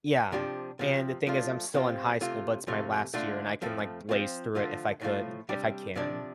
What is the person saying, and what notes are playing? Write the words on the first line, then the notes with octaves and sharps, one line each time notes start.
Yeah, and the thing is I'm still in high school, but it's my last year, and I can, like, blaze through it if I could if I can.
C3 F3 D4 G4
C3 F3 C4
F3 A3 D4 F4
C3 F3 C4 F4
C3 A3 F4
F2 C3 A3 F4
D3 A3 F4
F2 F3 A3
F3 C4 F4
D3 F3 A3 F4
A2 F3 A3 F4
C3 G3 D4 G4
C3 F3 D4